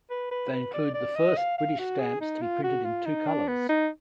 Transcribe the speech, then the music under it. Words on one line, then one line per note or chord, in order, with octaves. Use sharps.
They include the first British stamps to be printed in two colours.
B4
B4
B4
D5
D5
D#5
F5
F5
F#4
G#4
D#4
F4
F#4
F4
D#4
D4
B3
D#4